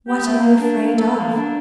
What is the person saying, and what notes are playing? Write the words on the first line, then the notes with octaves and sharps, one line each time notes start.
"What are you afraid of?"
G4
A3
A#3
D4
A#3
A4
A#3
D4